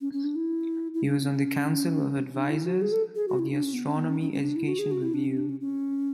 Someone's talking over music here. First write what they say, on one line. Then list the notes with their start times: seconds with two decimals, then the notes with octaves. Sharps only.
He was on the Council of Advisors of the Astronomy Education Review.
0.01 C#4
0.13 C#4
0.24 D4
0.36 E4
0.94 E4
1.06 D4
1.17 C#4
1.29 C#4
2.34 D4
2.50 E4
2.66 F#4
2.82 G#4
2.92 A4
3.15 G#4
3.28 F#4
3.39 E4
3.51 D4
3.63 C#4
3.74 B3
3.86 C#4
3.97 B3
4.09 C#4
4.21 C#4
4.32 C#4
4.44 D4
4.56 E4
4.68 F#4
4.79 G#4
4.91 F#4
5.02 E4
5.14 D4
5.26 C#4
5.37 D4
5.49 C#4
5.61 C#4